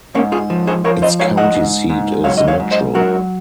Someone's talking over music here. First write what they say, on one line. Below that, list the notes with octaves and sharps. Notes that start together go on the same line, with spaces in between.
Its county seat is Mitchell.
G#2 A#3 C#4
F4 G#4
F3
G#4 C5
F3 A#4 C#5
C5 D#5
G#2 C#5 F5
D#5 F#5
G#2
G#2
F#3 C#5 F5
D#5
C#5 F5
G#2
C5 D#5
F#3 F#4 A#4